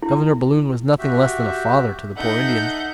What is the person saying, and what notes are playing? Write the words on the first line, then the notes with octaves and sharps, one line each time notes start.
Governor Balloon was nothing less than a father to the poor Indians.
E4
F#4 G4 E5
D#4 A4 E5 F#5 G6